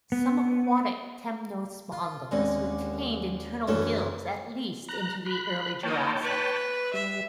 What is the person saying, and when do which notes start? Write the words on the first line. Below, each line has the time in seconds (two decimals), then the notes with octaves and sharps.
Some aquatic temnospondyls retained internal gills at least into the early Jurassic.
0.12 B3
1.92 F4
2.31 D#2 D3 G#3 C4 C#4
3.67 F#2 E3 A3 C#4 D4 A4
4.89 A#5 F#6
5.26 B5 F#6
5.83 A#3 D#4 C#5 G5 A5
6.23 B4
6.94 G3 E5